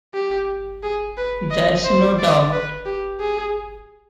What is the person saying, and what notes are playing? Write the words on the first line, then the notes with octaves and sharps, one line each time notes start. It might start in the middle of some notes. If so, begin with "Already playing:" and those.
There's no doubt?
G4
G#4
B4
D#5
C5
D5
B4
G4
G#4